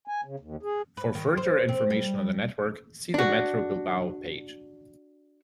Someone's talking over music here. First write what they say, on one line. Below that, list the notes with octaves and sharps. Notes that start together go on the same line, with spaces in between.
For further information on the network, see the Metro Bilbao page.
G#5
C#3
D#2
G#4
B4
D#3
C5
C4
G3
D4 F#4